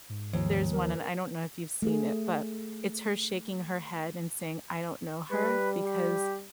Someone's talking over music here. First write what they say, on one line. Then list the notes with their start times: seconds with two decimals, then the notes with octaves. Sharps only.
there's one- and I don't know if you've seen it- but it's her shaking her head and saying, "I don't know her," because
0.09 G#2
0.33 D#2 F3
0.73 A#4
1.82 A3 G#4
5.31 G3 B4
5.84 G4